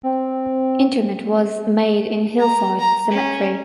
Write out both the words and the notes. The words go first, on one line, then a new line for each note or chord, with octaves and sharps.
Interment was made in Hillside Cemetery.
C4
A#5
A#5
C#4